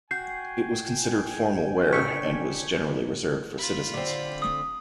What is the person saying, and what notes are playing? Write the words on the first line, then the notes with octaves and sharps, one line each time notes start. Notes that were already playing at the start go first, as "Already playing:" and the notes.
It was considered formal wear, and was generally reserved for citizens.
F#4 G5 G#5 G6 C7
C#3 D4 C#6 B6 C#7
F4 B5
D3 C4
D#6